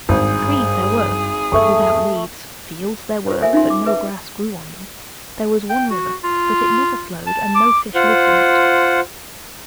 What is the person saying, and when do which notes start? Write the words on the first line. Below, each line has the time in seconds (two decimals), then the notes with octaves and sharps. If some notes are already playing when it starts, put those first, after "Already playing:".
Trees there were, but without leaves; fields there were, but no grass grew on them. There was one river, but it never flowed and no fish lived in it.
0.09 G#1 G2 G#4
1.52 E2 G2 A3 C#6
3.27 F4 G4 A4 A#4 C5 C#5
3.41 A4 A#4 E5 G#5
3.53 C#4 D#4 F4 E5 G#5 C6
3.70 D6
3.85 G#4 B4 E5 A5
5.69 G5
5.91 F#4
6.24 F4
7.27 A5
7.55 D6
7.95 F4 C5 F#5